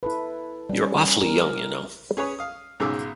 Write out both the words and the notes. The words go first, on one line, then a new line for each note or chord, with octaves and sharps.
You're awfully young, you know.
E4 A4 B4
G3 C#4
A#4
C#4 G#4 B4 C#5
F5 D#6
B1 G#2 C#3 G#4 D6 E6